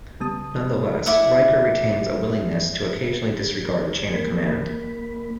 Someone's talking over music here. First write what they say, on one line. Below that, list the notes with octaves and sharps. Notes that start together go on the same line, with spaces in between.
Nonetheless, Riker retains a willingness to occasionally disregard the chain of command.
C#3 G3 B3 A5 D#6
E4 D5 E5 F#5
A#3 B5